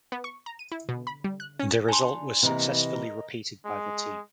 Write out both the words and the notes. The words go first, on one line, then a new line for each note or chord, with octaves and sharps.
The result was successfully repeated by the team.
B3
C#6
A#5
D#7
E4
B2
B5
G3
F#6
C#4
G3 D4 G#5 A#5 C6
C3 E3 A#3 B3 D#5
A#4
G#3